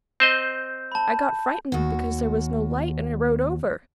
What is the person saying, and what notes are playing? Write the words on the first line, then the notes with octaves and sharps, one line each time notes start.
I got frightened because there was no light and I rowed over.
C4 C5 D#5 G6
A5 B5
D#2 F#4